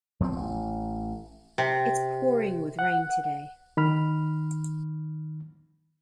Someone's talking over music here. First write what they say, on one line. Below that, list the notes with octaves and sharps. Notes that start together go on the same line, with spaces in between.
It's pouring with rain today.
E2 F3 A#3 C4
A1
C3
F#5
D#3 B5 F6